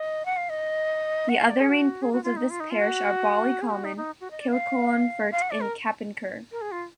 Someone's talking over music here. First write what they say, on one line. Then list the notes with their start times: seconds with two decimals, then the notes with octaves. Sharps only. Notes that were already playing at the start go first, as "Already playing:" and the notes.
The other main poles of this parish are Ballycommon, Kilclonfert and Cappincur.
Already playing: D#5
0.25 F#5
0.37 F5
0.49 D#5
1.29 F#5
1.39 F5
1.50 D5
1.60 G#4
1.69 F#4
2.02 G#4
2.12 F#4
2.24 F4
2.36 D#4
2.50 F4
2.60 D#4
2.70 F4
2.80 F#4
3.61 G#4
3.70 F#4
3.84 D#4
3.97 D#4
4.20 F#4
4.31 D#5
4.40 D5
4.51 F5
5.31 F5
5.42 F#5
5.51 D5
5.61 A#4
6.52 A#4
6.61 G#4
6.71 F4